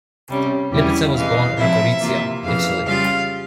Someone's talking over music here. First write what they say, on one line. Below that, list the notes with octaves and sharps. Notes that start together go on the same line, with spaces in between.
Lipizer was born in Gorizia, Italy.
C3 G3 C#4
E2 E3 G3 C#4 E4
C3 E3 G#3 F5
C3 F3 C4 E4 E5
C3 E3 A#3 F4
F2 C#3 E3 F5
C#3 G3 C#4 F4 F5